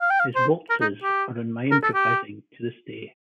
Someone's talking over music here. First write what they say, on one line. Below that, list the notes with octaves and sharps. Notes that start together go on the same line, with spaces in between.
His waltzes are in my improvising to this day.
F5
G5
F5
C5
A#4
D#4
G4
A#4
A4
G4